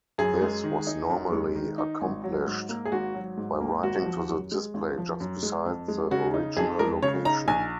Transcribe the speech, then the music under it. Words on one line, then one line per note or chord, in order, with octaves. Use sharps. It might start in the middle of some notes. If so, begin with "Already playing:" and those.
This was normally accomplished by writing to the display just beside the original location.
F#2 G#4
G#3
D#3
D#4
F#2
G#3
D#3
D#4
G#1
F#3
G#2
A#3
G#4
G#1 F#4
F#3
G#2
A#3
G#1 F#4
F3
F#2
G#3
G#1
F3
F#2
G#3
F2
G#3
C#3 F#4
D#4
F2 G#4
G#3 A#4
C#3 C#5
D#4 A#5
A#1 G#5